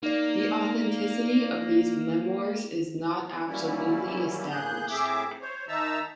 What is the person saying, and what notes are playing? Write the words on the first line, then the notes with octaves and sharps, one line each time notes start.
The authenticity of these memoirs is not absolutely established.
A#3 D#4 D5
F#3 G3 A#3 C#4 E4
A2 A#3 G#4 F#6 G6
A2 C4 G#4 E5 D6
C5 C#5
D#3 D#4 E5 A5 A#5 E6